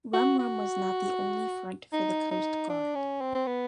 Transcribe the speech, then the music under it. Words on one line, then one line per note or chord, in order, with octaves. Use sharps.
Rum Row was not the only front for the Coast Guard.
F#4
F#4
D#4
D#4
D4
C#4
C4
C4
B3